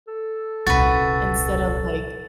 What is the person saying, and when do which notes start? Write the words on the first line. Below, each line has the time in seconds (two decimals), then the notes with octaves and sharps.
Instead of like,
0.08 A4
0.67 D#1 C2 F#4 B4 A6